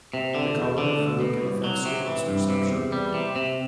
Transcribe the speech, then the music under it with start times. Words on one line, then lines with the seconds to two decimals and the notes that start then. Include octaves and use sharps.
The color of food can affect sweetness perception.
0.14 C3
0.35 D3
0.56 E2
0.78 D3
0.99 D2
1.20 B2
1.42 C2
1.64 F#3
1.85 C3
2.07 E3
2.28 G2
2.50 C3
2.71 E2
2.92 G3
3.14 C3
3.36 C3